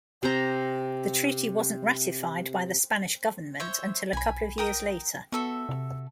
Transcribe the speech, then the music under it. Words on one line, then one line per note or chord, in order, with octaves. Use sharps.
The treaty wasn't ratified by the Spanish government until a couple of years later.
C3 C4 C5 A#5
C5 C#5 E5
B1 G#5 B5
A#4 G5 D#6
B3 F#4 A4 E5
C3